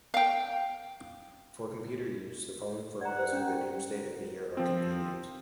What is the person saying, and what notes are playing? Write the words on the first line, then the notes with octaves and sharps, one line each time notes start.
For computer use, the following formulas for the doomsday of a year are convenient.
F5 G5
D5 F#5 A#5
C5
C#4
G4 G5
F3 C4